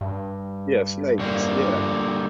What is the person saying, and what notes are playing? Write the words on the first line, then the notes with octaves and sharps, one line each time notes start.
Yeah, snakes. Yeah.
G2
D3 G3 A#3